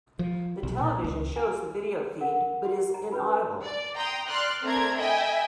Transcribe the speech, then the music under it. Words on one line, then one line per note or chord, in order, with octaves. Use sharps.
The television shows the video feed but is inaudible.
F3
B1
A#2
C#2
E4 G#5
A#4 F#5
F#4
A#5
C#4 B4 B5
D5
G5 A#5 C6 D#6
D5 C6 F6 F#6
A3 C4 D4 A#4 A#5 G#6
D#5 E5 G5 G#5 B5